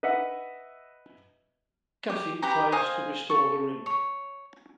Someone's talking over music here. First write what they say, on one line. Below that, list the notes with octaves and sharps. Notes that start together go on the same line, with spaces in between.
Caffey tries to restore the ring.
B4 D#5 E5 F#5
G4
G4 B4 G5 A#5
C5 D#5 F5 G#5
A4 C#6
C#5